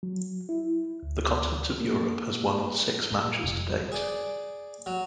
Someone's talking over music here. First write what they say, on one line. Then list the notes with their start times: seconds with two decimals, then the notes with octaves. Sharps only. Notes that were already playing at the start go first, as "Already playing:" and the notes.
The Continent of Europe has won all six matches to date.
0.03 F#3
0.49 E4
1.03 D2
1.81 A#3
3.12 A#2
3.44 F1
3.70 G3
3.92 G#4 D5
4.86 F#3